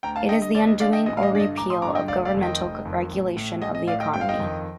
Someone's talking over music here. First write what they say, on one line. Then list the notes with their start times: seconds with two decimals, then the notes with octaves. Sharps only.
It is the undoing or repeal of governmental regulation of the economy.
0.03 D2 G5 A#5
0.16 F5 A5
0.29 D3 D#5 G5
0.42 D#5
0.55 D2 D5
0.67 D#5
0.80 D3 D5 F5
0.93 D#5 G5
1.06 A1 D#5
1.17 F5
1.23 D#5
1.31 G2 D3 D5
1.40 D#5
1.57 A1 A#5 D6
1.70 C6 D#6
1.82 G2 D3 A#5 D6
1.95 D#5 G5
2.08 F1 D5 F5
2.25 D5 F5
2.34 F2 D#3
2.43 D#5 G5
2.60 F1
2.85 F2 D#3
3.11 A1
3.37 A2
3.62 A1 D#5
3.75 D#5
3.87 A2 D5 F5
4.01 D#5 G5
4.13 G1 G5
4.21 F5
4.29 D#5 G5
4.39 F2 D#3